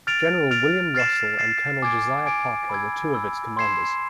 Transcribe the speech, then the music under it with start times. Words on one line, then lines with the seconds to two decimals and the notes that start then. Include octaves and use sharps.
General William Russell and Colonel Josiah Parker were two of its commanders.
0.07 F6 A6 D7 F7
0.51 F6 A6 D7 F7
0.95 F6 A6 C7 E7
1.39 F6 A6 C7 E7
1.82 G#5 D6 G#6 D7
2.26 G#5 D6 G#6 D7
2.70 B5 E6 G#6
3.14 B5 E6 G#6
3.57 C6 G#6 C7 E7